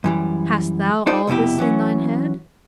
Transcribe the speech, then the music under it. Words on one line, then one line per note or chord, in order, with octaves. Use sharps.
Hast thou all this in thine head?
F#2 E3 G3
D#4 F4 A4 C5 D5
C2 F2 B2 E4 G4
E3 F#3 C#4